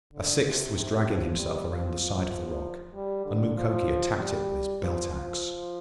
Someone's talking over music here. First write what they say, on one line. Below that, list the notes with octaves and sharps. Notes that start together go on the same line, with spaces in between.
A sixth was dragging himself around the side of the rock, and Mukoki attacked it with his belt-ax.
D3
C3
C3
F3
G3
F3
F3
G3
D3
F3
G3
F3
F3